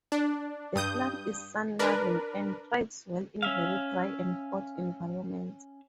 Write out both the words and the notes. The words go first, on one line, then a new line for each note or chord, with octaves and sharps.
The plant is sun-loving, and thrives well in very dry and hot environments.
D4
G2 D#6 G6
D4 A#4 B4
C#4 E5 F5